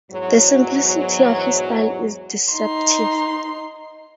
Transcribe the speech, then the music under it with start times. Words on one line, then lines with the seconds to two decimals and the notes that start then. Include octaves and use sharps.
The simplicity of his style is deceptive.
0.11 E2 G#2 F#3
2.52 D#4 C6